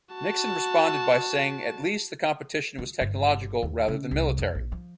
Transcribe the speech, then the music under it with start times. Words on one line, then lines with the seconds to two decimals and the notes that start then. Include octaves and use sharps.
Nixon responded by saying at least the competition was technological, rather than military.
0.15 F#4 A5
2.78 F4
3.01 G1
3.62 D#2
3.88 C#3
4.11 C2
4.39 F2
4.55 A#1
4.72 F3